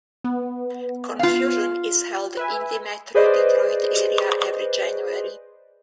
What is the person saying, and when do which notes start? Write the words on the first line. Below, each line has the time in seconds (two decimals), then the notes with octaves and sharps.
ConFusion is held in the Metro Detroit area every January.
0.24 B3
1.19 F4 F5
2.37 B4 E5 G#5
3.15 G#4 B4 C5 D5 D#5